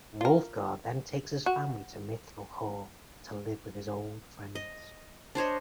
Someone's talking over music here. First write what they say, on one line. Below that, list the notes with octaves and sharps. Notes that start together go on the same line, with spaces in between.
Wulfgar then takes his family to Mithral Hall to live with his old friends.
F4 A#4
F#4
D#5
D4 C5 C#5 D#5